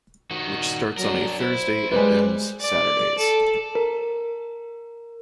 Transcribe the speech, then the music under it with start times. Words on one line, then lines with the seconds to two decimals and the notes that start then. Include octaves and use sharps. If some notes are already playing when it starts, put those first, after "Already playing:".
Which starts on a Thursday and ends Saturdays.
0.31 D#3 F#4
0.97 F#3 D4 A#4
1.40 E4 C5
1.92 G3 G#3 B4
2.61 D5
3.18 A4
3.75 A#4